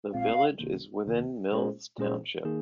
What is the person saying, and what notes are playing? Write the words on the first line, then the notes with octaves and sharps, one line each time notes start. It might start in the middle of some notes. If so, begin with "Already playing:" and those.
The village is within Mills Township.
A#1 A#2 G#3 C4 F4 F5
C#2 C3 D#3 A#3
C#2 C3 D#3 A#3
A#2 G#3 C#4 G#4 C5
A#2 G#3 C#4 G#4 C5
D#3 A#3 D#4 G#4